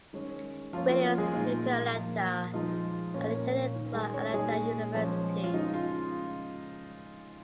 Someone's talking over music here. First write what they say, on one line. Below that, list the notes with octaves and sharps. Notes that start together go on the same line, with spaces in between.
Williams moved to Atlanta and attended Clark Atlanta University.
D#3 G#3 C#4
F3 A#3 C#4 F4
F4
F4
G#3 G#4
A#2 G#3 D#4 F4
A#2 F3 A#3
F3 G#3 D#4 F4
A#2 A#3 C#4
D#3 C#4
G#3 G#4
C#4 C#5
A#2 G#3 D#4 G#4
F3 G#3 C#4
F4
C#3 G#3 D#4
F4